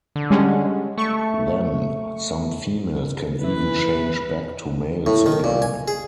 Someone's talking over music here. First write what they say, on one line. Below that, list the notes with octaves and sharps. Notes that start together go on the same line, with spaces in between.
Then, some females can even change back to males again.
D3
G3 G#3 C#4
A3 C#6
E3 B4
A2
D#3
A#2
G#5
G#4